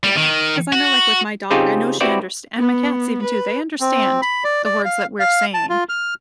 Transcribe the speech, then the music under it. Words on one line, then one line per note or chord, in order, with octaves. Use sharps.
yeah, 'cause I know, like, my dog, I know she underst and my cats even, too, they understand the words that we're saying,
G3
D#3
F#4
C#3 C4 D#4 F4 G4 G#4
C4 E4 F#4 G4 B4 D5
B3
B4
C4
B5
D5
D5
F5
F5
A5
F4
F6